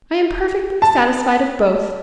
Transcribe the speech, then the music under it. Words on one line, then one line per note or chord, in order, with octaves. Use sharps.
"I am perfectly satisfied of both."
A5